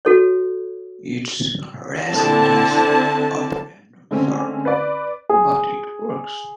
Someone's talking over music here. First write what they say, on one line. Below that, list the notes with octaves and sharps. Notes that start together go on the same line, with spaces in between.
It's razzle-dazzle of a random sort, but it works.
F#4 A4 C#5
D3 C4 E4 A5
D3 G#3 A3 C4 C#4
B4 D5
G#4